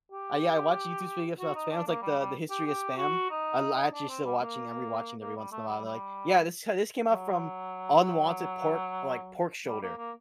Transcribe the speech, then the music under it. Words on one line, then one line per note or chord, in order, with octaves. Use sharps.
Uh, yeah, I watched YouTube videos about Spam, it's like the the history of Spam. I'll actually still watching, I'm rewatching every once in a while, they're like, "Yeah, this h this came up from unwanted pork, like pork shoulder"
G4
F#4
D#4
D4
A#3
G3
G3
G4
G4
F#4
D#4
D4
C4
G3
A#3
A#3
G3
A3
G3
G3
F#3
G3
A#3
A#3